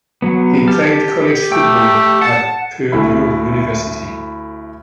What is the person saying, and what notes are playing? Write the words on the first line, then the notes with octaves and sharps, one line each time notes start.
He played college football at Purdue University.
F#3 B3
G4 A5 F6
A3 G5
F#5 A5
D2 E4 A4 E5 B5